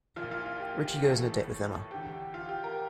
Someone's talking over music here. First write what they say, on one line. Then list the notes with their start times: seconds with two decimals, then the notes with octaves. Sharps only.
Richie goes on a date with Emma.
0.16 A#1 A#2 F4
0.31 F4
0.45 F4
0.60 G4
0.92 G4
1.04 A1 A2 E3 A4
1.91 E2 D3 G4
2.34 F4
2.49 G4
2.64 A#4